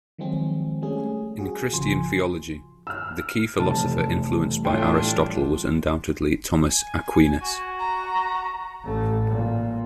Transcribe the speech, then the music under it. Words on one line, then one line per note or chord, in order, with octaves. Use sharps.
In Christian theology, the key philosopher influenced by Aristotle was undoubtedly Thomas Aquinas.
D#3 F3 F#3 G#3 C4 G#4
G3 A3 C#4 G#4
F#4 G#4
A1 C#3 F3 G#5 C6
E6 F6
F1 E3 G3 A3 A5
A2 D4 F4 G5
G#5
F#4
A#5
A1 A3
A#2